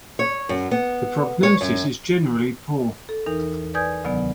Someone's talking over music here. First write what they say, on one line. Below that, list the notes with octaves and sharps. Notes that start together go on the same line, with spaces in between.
The prognosis is generally poor.
C#5
F#2
B3
C#5
F#2
A4
E2 E3 D#4 A#4
B4 D5 G#5 D#6 G6 G#6
D2 C3 D#3 F#3 B3 D5